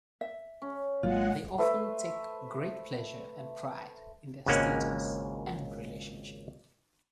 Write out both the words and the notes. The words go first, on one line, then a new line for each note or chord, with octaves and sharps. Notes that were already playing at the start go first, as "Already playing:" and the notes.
They often take great pleasure and pride in their status and relationship.
E5
C#4
G#1 F#3 G#3 A#3 F4 F#5
A3 B4 C5 E5
G#1 C#2 G#3 A#3 C#4 F#5